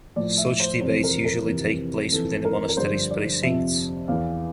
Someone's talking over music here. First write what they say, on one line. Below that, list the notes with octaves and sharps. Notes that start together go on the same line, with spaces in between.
Such debates usually take place within the monastery's precincts.
A2 F3 D5
E5
C5
F2 C3 E3 C5
A#4
A#4
F2 C3 E3
F2 E3 A4
A#4
A#4
G2 D3 F3 C5
D5
F2 C3 F3 E5
E2 E3 F5